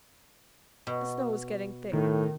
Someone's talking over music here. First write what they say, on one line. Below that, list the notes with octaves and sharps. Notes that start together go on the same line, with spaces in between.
The snow was getting thick.
B2
A2 D#3